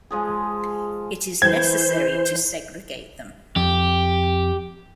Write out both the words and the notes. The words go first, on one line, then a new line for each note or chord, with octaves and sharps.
It is necessary to segregate them.
F3 G#3 G#4
E3 C5 G#6
F2 G4